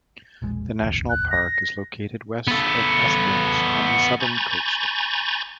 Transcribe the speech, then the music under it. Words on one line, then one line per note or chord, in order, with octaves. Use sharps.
The National Park is located west of Esperance on the southern coast.
E1 A#1 G#3
E1 A1 D2
F#6
A#6
B3 A4
G#5 A#5 B5 C#6 G6 A6